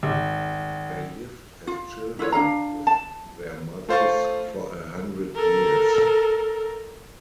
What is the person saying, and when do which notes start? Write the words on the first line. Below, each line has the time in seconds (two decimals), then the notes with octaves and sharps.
They lived as children with their mothers for a hundred years.
0.03 G#1
1.67 F4
2.19 E4 F4 B4 C#5
2.32 D4 A#4 F5 A#5
2.87 A5
3.89 A3 F4 C5 F5 C#6 A6
5.35 A4 A#4